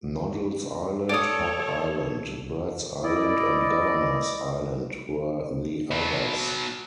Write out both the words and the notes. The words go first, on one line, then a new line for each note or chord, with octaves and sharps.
Noddle's Island, Hog Island, Bird's Island and Governor's Island were the others.
A4 C#5 D5 D#6
E4 D5 D#5
B2 F#3